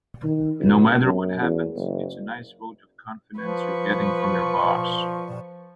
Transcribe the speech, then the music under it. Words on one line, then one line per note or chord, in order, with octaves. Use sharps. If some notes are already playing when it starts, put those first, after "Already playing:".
No matter what happens, it's a nice vote of confidence you're getting from your boss.
D#3
C#2
F#2
E2
F#1
F3 B4 C#6